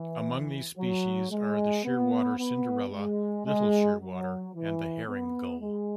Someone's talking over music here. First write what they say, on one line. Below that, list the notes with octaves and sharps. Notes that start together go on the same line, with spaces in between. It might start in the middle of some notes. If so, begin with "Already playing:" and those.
Among these species are the shearwater Cinderella, little shearwater and the herring gull.
Already playing: E3
F#3
G#3
B3
B3
G#3
G#3
F#3
E3
B3
G#3